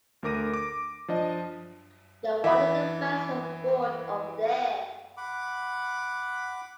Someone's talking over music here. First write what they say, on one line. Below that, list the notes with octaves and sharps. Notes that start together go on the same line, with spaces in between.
No wonder the fans are bored over there.
D2 D3 A#4 D6 A#6 D#7
D6
F3 D4 D#5 A5
E3 E5 B5
F#5 B5 D6